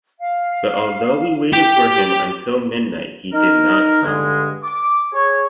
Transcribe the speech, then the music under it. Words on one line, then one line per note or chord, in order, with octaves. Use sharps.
But although we waited for him until midnight he did not come.
F5
G4 G5 D6
D#4 A#4
G2 D3 G#3
D6
G#4 C#5